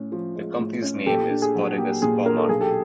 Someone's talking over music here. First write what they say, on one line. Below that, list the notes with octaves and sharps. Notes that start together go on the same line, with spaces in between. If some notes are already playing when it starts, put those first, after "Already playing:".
The company's name is Bodegas Pomar.
Already playing: A2 C#4
F3
G#3
A2
C#4
A#2 G4 A4
D4
G#4
F#3
A#3 G4
A#2 G#4
D4 A#4
A4
B1 G#4
G4 A4